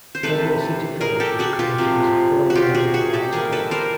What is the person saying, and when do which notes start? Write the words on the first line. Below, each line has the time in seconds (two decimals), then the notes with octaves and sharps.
Federal City College was created as a four-year liberal arts college.
0.15 C5
0.23 C3 E3 A3 A4 B4
1.01 G#4 A#4
1.20 G4 A4
1.39 F#4 G#4
1.59 F4 G4
1.78 C3 F3 G#3
2.50 F#4
2.55 F4 G4
2.74 F#4 G#4
2.94 F#4 G#4
3.13 G4 A4
3.32 E3 G3 A#3 G#4 A#4
3.52 A4 B4
3.71 A#4 C5